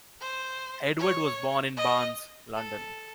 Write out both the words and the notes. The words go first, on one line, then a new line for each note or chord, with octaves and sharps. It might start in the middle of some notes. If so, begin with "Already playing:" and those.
Edwards was born in Barnes, London.
C5
C#5
D#5
A4